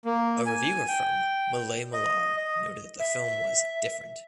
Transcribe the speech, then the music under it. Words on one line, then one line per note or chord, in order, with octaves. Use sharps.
A reviewer from "Maalai Malar" noted that the film was "different".
A#3
G#5
G5
D#5
D#5
E5